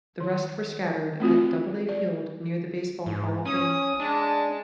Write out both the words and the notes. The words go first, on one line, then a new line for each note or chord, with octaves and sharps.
The rest were scattered at Doubleday Field near the Baseball Hall of Fame.
D#3
A3 C4 F4 F#4
D5
G#2
C#4 D#6
G#3 D4 A5